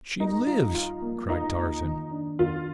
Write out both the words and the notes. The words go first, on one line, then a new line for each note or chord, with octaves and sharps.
"She lives!" cried Tarzan.
G3 D#4
F4
F4
A#3
D#4 F4
A#3
D#3
D4
D#3 F4